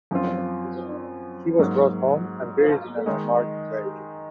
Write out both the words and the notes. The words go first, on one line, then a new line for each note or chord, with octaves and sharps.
He was brought home and buried in an unmarked grave.
F#2 F3 C4 F4
G#2 F#3 A#3
D#3 G#3 D#4